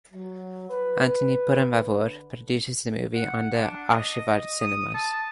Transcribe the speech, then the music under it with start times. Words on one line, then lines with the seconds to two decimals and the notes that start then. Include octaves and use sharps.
Antony Perumbavoor produces the movie under Aashirvad Cinemas.
0.13 F#3
0.70 B4
1.84 D3
3.14 F#5
3.53 D4
3.93 D#5
4.61 D#6
4.94 A5